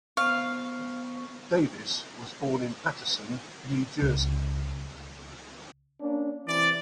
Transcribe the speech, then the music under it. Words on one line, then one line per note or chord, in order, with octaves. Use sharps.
Davis was born in Paterson, New Jersey.
B3 C5 F5 C#6
C#2
A#3 C#4 D4
C3 E3 D5